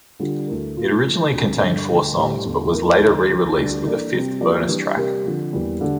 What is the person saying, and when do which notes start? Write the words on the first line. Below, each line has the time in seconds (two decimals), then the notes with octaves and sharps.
It originally contained four songs, but was later re-released with a fifth bonus track.
0.20 D3 G3 D4 F4
0.47 D2 D3 A3 E4 A#4
0.76 A#2 A3 D4 F4
1.03 D3 F3 A3
1.33 D2 D3 F3 C4
1.60 G2 D3 G3 D4 A4
1.88 D2 D3 A3
2.16 A2 G3 D4 G4 C5
2.45 E2 D3 A3
2.72 E2 E3 A3 E4 A#4
3.01 D2 D3 G3
3.29 C2 C3 F3
3.57 D2 D3 G3 D4
3.84 E3 A#3 D4 A4 D5
4.12 C3 G3 C4
4.40 F3 A#3 E4 G4 D5
4.68 E3 G3 D4
4.96 C3 G3 C4 G4 A#4
5.24 D3 F3 C4
5.53 E2 E3 G3 A#3
5.81 D3 A3 D4 G4